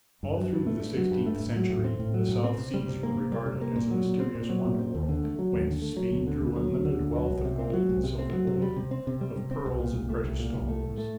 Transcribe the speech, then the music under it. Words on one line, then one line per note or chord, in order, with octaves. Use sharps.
All through the sixteenth century the South Seas were regarded as a mysterious wonderworld, whence Spain drew unlimited wealth of gold and silver bullion, of pearls and precious stones.
G2
F#3
G2
A3
G2
F#3
G2
A3
A2
F#3
A2
C4
A2
F#3
A2
C4
C3
G3
C3
A#3
C3
G3
C3
A#3
A#2
F#3
A#2
C4
A#2
F#3
A#2
C4
D#2
D3
A3
F#3
D#2
D3
A3
F#3
D2
D3
D2
F#3
D2
D3
D2
F#3
C2
C3
C4
F#3
C2
C3
C4
F#3
C3
G3
C3
C4
C3
G3
C3
C4
C2
A#2
C2
A3
C2
A#2
C2
A3
A2
A3